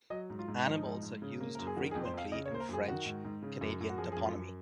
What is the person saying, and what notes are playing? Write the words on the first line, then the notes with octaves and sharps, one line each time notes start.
Animals are used frequently in French Canadian toponymy.
F#3 D#5
G#2
F4
G#2
F3 D#4
G#2
G#2
C#3
A#3
F#2 A#4
G#4
D#3 F#4
G#4
F2
C5
F2 F5
C#3 D#5
C#5
A#3 C5
A#4
F#2 G#4
D#3 F#4
G#2
G#2
C#3
F#2
F#2
F#4
F3 G#4
G#4
F#2
F4
F#2